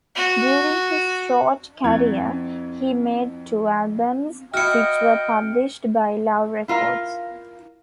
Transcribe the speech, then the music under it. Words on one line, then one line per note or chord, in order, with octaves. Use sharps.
During his short career he made two albums, which were published by Love Records.
F#4
F2 C4 E4 G#6
E4 F#4 D#5 G5 F6 C#7
E4 F4 A#4 F5